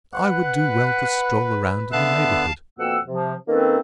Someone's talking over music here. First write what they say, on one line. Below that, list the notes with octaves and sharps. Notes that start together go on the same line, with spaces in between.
I would do well to stroll around in the neighborhood.
B4 F#5
D3 B3 E5 F5 A5 F#6
F2 B2 A#3 F#5 G5 E6
C3 F3
D#3 A#3 C4 C#4 A4 B4